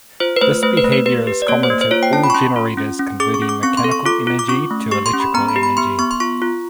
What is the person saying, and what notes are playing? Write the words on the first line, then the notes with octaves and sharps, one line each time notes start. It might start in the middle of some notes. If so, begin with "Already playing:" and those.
This behavior is common to all generators converting mechanical energy to electrical energy.
F4 C5
B4
A3 C5
A3 C5
B4
A3
B4
G4 B4
G4
D5
A#3 C#5
C5
A#3
C5
F4 C#5
G5
C#4 A5
B5
C#6
C#4 C6
F4
C#4
C#4
G#4 D6
C#6
C#4
D6
C4 C#6
C6
A4
C#6
F4 D6
F4
D6
C#4 C#6
A3
G4 C#6
C6
C#4
B5
B3 A#5
B5
G4
B5
B3 C6
B3 C#6
C6
F4 C#6
F4